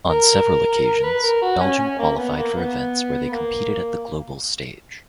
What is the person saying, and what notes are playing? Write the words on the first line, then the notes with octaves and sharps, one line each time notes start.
On several occasions, Belgium qualified for events where they competed at the global stage.
A#4
B4
A#4
F#4
C#4
C#4
A#3
B3
A#3
B3
A#3